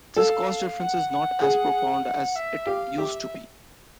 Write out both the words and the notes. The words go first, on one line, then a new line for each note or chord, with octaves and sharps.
This cost difference is not as profound as it used to be.
A4 F5
F#5
F#5
G#4
F#5
E5
G4 F5
G4 E5